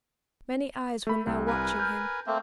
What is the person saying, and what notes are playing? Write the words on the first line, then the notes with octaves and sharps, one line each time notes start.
Many eyes were now watching him.
A3 B5
C2 C4
A#4 B4 G#5
F6 G6
A3 A#3 C4